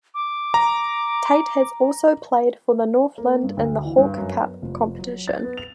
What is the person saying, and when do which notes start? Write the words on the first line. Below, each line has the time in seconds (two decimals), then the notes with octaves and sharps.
Tait has also played for the Northland in the Hawke Cup competition.
0.14 D6
0.54 A#5
3.18 A#3
3.43 G2
3.57 D2
3.85 E3
3.98 G2
4.18 F#2
4.33 B3
4.62 F1
4.99 F#3
5.28 A6
5.44 B3
5.57 F7